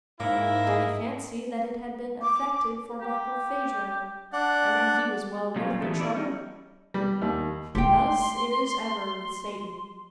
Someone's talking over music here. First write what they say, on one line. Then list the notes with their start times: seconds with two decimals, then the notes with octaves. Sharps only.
He fancied that it had been effected for Barkilphedro, and that he was well worth the trouble. Thus it is ever with Satan.
0.20 G#2 A#3 E4 C#5 D6
0.67 G#4 D#5
2.21 D6
3.01 G4
4.33 D4 D5 F#5
5.56 A#2 F#3 G3 C#4 F4
5.81 E3 F#3 A3 B3 G4 A4
5.97 B3 E4 D5
6.15 C#4 D#4
6.94 G3
7.22 D#2
7.75 A3 E4 G4 G5 C6